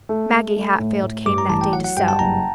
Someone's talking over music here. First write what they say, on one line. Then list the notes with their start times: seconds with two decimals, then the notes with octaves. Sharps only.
Maggie Hatfield came that day to sew.
0.09 A3
0.33 A3
0.56 A3
0.79 A2
1.02 A2
1.26 G2 D6
1.38 A#5
1.49 A1 A5
1.61 G5
1.73 F#3 F#5
1.84 F#5
1.97 G2 G5
2.08 A5
2.19 F#1 A#5